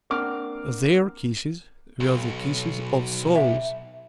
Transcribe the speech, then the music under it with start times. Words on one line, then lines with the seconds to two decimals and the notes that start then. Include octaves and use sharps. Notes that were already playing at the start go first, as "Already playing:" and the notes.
Their kisses were the kisses of souls.
0.10 A#3 C4 D4 F#5 D6 F6
2.00 B1
3.36 E5